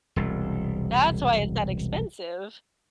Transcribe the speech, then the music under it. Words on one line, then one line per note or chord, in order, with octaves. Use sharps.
that's why it's that expensive."
E1 C2